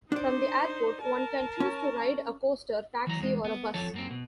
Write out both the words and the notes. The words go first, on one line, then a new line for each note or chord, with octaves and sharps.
From the airport one can choose to ride a coaster, taxi or a bus.
D4 D#4 C5 D5
A#4 A5
C#4
E3 F#3 A#5
E2 G#3
B3
F2 F3 A4 C#5 A5
F#2 A#3 C4
B2